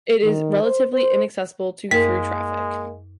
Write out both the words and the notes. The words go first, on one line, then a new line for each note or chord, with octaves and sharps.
It is relatively inaccessible to through traffic.
D#3
C5
C5
F#2 G#3 A#3 A#4 B6